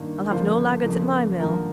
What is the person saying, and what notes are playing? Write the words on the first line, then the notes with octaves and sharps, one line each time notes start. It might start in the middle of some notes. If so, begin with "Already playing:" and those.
'I'll have no laggards at my mill.
Already playing: G2 D#3 A#3
G1 F2 C#3 F3 A#3 C5
F2 C#3 F3 A#3
G#1 G2 F3 A#3 A#4